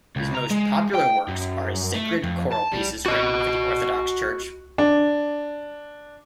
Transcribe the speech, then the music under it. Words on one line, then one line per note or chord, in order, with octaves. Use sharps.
His most popular works are his sacred choral pieces written for the Orthodox Church.
C#2
A#5
G#3
G5
F#2
A3
F2
A5
G3
F#4 D#5
D4